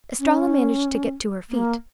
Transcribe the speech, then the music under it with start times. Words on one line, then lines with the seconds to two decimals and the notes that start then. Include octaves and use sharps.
Estralla managed to get to her feet.
0.20 C#4
1.50 A#3